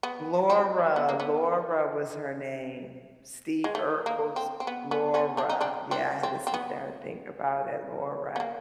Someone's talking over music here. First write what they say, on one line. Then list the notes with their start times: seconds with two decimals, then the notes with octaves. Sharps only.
Laura, Laura was her name. Steve Urkel's Laura yeah, I had to sit there and think about it. Laura.
0.03 B3
0.50 C4
0.96 B3
1.09 A#3
1.20 B3
3.64 G#3
3.75 A3
4.06 A#3
4.36 C4
4.60 C4
4.67 B3
4.91 B3 C#4
5.14 B3 C#4
5.37 C4 D4
5.50 D#4
5.61 C4 D4
5.91 C4 D4
6.23 C4
6.47 C4
6.54 B3
8.36 B3
8.40 A#3